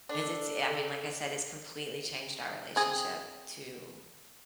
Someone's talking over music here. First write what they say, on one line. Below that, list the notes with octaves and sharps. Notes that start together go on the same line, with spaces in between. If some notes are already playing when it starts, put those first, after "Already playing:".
'Cause it's I mean, like I said, it's completely changed our relationship, too.
D4 A4
C4 G#4